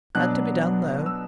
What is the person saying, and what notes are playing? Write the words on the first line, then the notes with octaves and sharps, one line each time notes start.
Had to be done, though.
B2 F#3 B3 D4 F#6
E6